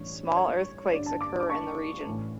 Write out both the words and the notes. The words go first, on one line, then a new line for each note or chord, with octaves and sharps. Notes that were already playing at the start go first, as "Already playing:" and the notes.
Small earthquakes occur in the region.
Already playing: A1 G2 E3 C#5
C#5
G1 G2 D3 D5
A5
D6
D6
C#6
A1 A2 E3